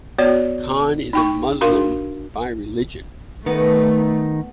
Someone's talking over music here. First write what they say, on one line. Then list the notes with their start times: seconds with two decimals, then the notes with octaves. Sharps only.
Khan is a Muslim by religion.
0.18 B3 F#4 C#5 D5
1.13 D#4 G5 C#6
1.61 D4 F#4 A#4 F5 C6
3.46 D#3 A3 B3 D#4